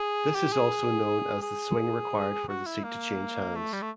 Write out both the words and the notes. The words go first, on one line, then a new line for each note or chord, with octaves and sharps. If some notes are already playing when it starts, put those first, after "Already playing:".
This is also known as the swing required for the seat to change hands.
Already playing: G#4
G4
G#4
G#4
F#4
E4
A#3
A3
G3
A3